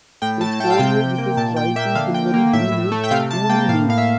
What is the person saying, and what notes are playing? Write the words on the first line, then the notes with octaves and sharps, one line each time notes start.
Its foliage is a striking silvery green, with woolly leaves.
A2 G5
A2 A5
A3 G5
F5
C3 G5
C3
A#3
A#2 A5
A#2 G5
A#3 E5
D3 F5
D3 G5
A#3
A2 E5
A2
A3
G5
C3 F5
C3 A5
A#3 G5
A2 F5
A2 F5
E5